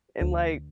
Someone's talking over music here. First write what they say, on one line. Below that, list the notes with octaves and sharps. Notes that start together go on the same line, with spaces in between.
And like
D2